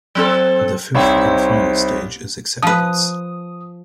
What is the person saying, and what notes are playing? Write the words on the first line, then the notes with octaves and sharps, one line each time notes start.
The fifth and final stage is acceptance.
F#3 C4 A4
C2 C4 D#4 E4 C#5 G5
F3 B4 D#6